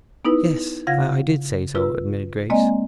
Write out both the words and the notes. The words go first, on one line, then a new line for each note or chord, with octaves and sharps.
"Yes, I did say so," admitted Grace.
B3 D#4 E4 B4
C#3 F4 F5 F#5 G#6 A#6
F4 B4 E6
G#3 A#3 C4 D5 D#5 G#5